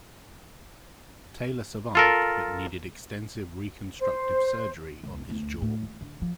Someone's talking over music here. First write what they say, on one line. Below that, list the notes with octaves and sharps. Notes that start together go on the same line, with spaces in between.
Taylor survived, but needed extensive reconstructive surgery on his jaw.
F4 A4 A#4
C5
C#2
D2
A2
F3
D3
F3